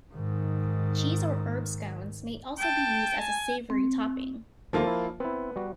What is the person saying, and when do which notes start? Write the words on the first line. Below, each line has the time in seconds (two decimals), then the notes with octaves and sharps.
Cheese or herb scones may also be used as a savoury topping.
0.13 G#2 D#3
2.59 G5 A5
3.21 G#5
3.70 C4
4.73 D#2 D3 F3 A3 A#3 F4
4.87 E4
5.20 B3 C4 E4
5.56 G3 F#4